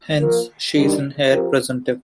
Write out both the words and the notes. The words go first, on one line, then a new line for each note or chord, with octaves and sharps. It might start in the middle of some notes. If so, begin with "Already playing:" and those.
Hence, she is an heir presumptive.
F3 A#3 F4 A#4
D#3 G3 D4
F3 C4 G4 A#4